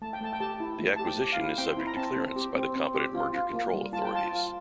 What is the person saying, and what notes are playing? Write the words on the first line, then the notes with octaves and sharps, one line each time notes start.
The acquisition is subject to clearance by the competent merger control authorities.
A3 A5
G5
A3 A5
G5
G4 A5
E4
A3
G4 A5
G5
G4
F5
E4
C4 G5
E4
A#5
C4 A5
C4
G4
C4
C4
G4
F4
F4
A#3
G3
F4 A5
G5
F4 A5
F4